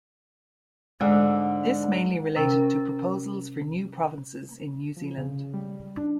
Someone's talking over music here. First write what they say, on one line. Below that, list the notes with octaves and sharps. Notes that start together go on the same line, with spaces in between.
This mainly related to proposals for new provinces in New Zealand.
G#2 D3
C3 C#4 A#4 G5 A#5 A6
F3
C#3
G3
D4